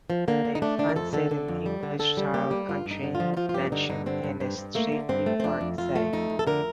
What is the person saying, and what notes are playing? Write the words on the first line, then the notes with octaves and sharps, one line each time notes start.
They fancied an English-style country mansion in a stately park setting.
F3
D3 A#3
D3
D#4
A3 D4
D3 D4
A#4
F2 A4
D3 A4
D3
F2
G3
D3
D3 A4
G3
A#3 G4
G3
G2 F4
G2
D#4
D3
F4
F3
D#4
F3 F4
F4
G2 G4
D3 D#4
G2 D#4
D3 C4
G2
G2 C4
G2
A3 A#3
D3
G2 C4
A3
C4
F2 D4
F2
F2 F4
A3
F2 D#4
F2
A4
D3 A#4